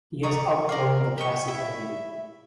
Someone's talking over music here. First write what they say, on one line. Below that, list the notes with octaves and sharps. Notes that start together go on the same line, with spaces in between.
He has outgrown the classic idea...
D5 A#5 C#6 D#6
A#4 D5 F5
G4 D#5 C#6
E4 E5